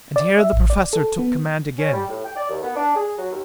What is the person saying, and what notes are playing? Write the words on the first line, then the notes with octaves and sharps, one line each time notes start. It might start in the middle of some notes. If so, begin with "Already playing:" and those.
And here the Professor took command again.
D5
E5
A1
D5
A4
B3
C#4
G3
A2
G5
D5
D#2
B3
D4
G#4
F#3
D#2